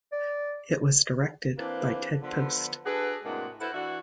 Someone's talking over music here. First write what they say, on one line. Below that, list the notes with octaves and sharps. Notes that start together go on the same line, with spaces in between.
It was directed by Ted Post.
D5
E3 A#3 C4 D4 B4
D3 F3 B3
D4 F#4 G#4 A4 B4
A2 C3 G#3 A#3 D4 F#4
E4 F#4 A4 B4 C5 F#5
E3 D4 E4 F#4